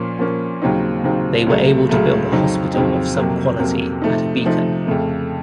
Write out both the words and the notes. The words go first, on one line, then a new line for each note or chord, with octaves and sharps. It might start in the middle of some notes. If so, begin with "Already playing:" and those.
They were able to build a hospital of some quality at a beacon.
Already playing: A#2 F3 A#3 C#4
A#2 F3 A#3 C#4
D#2 C#3 F#3 C4 D#4
D#2 C#3 F#3 C4 D#4
C#2 C#3 F#3 A3
C#2 C#3 F#3 A3
F2 C#3 F#3 C4 D#4
F2 C#3 F#3 C4 D#4
F2 C3 F#3 A#3
F2 C3 F#3 A#3
C3 F3 A3 D#4
C3 F3 A3 D#4
F2 C#3 A3